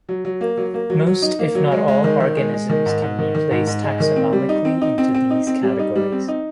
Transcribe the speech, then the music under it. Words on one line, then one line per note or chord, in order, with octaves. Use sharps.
Most, if not all organisms can be placed taxonomically into these categories.
F#3
F#3
A#3
F#3
A#3
F#3
F#3
D#4
A#3
F#3
G#3
G#3
D#3
D#3
G#3
G#3
D#3
G#2
G#2
D#3
D#3
G#2
G#2
G#3
D#3
C4
G3
D#4
C4
D#4
C4
C4
D#4
C4
G3
D#4
G3
C4
D#4